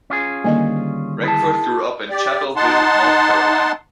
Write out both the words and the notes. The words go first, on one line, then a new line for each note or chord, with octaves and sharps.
Reckford grew up in Chapel Hill, North Carolina.
C#4 F4 G#4
D3 D#3 G3 A#3 D#5 G#5
E4 G#4 A5
G4 D5
D#4 F#5 A5 C6